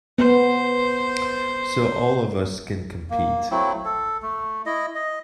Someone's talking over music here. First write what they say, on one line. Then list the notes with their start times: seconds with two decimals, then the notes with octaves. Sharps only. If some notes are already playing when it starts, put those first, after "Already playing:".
So all of us can compete.
0.19 B3 C5
3.10 A#3
3.51 F#3 A3 C4 E4
3.85 A4
4.22 A3
4.66 E4 D#5
4.95 D#5